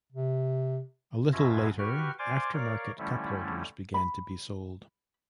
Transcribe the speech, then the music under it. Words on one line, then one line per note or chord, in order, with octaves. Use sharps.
A little later, aftermarket cup holders began to be sold.
C3
F#2 B2 F4 E5 G#6 A#6
F#4 G4 B4 G5 C#6 F6
C5 D5 F5 G#5 C6 D6
A#4 C#5 D5 F5
D3 F3 G3 A3 C#4 E4
B5